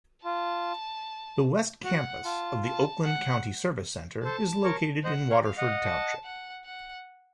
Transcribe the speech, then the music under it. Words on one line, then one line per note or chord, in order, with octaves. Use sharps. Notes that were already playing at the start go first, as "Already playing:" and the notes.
The West Campus of the Oakland County Service Center is located in Waterford Township.
F4 A5
F#4 F#5
F4 A5
A5
F#5
A4 C5 A5
A#4 C#5
C5 D#5 F#5
C#5 F5
F5
D#5 F#5
A5
F#5
F#5